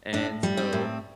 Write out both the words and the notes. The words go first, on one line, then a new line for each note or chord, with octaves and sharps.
and so
A2 D4
G3
C4
A2